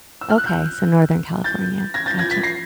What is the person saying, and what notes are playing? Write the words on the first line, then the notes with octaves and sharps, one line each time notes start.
Okay, so, Northern California. Gotcha.
E6
F6
F#6
F6 G6
G6 A6
G#6 A#6
G6 A6
G#6 A#6
A6 B6
A#6 C7